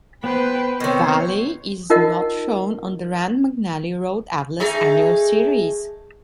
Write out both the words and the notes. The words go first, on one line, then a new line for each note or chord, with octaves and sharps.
Valle is not shown on the Rand McNally Road Atlas annual series.
B3 B4 C5 G5
C3 D#3 C5 C#5
D#4 F4 A#4 D#5 F#5
A3 D#4 G#4